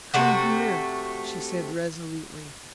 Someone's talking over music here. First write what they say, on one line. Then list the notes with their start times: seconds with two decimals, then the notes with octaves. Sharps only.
"Come here," she said resolutely.
0.14 C3 A3 F#4